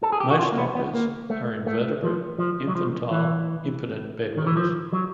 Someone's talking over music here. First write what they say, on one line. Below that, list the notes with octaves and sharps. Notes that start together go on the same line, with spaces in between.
Most doctors are invertebrate, infantile, impotent bedwetters.
A4
G#4
G4
F#4
F4
A#3
B3
B3
A#3
A3
A3
F3
F3
F#3
F3
E3
D#3
E3
F3
F#3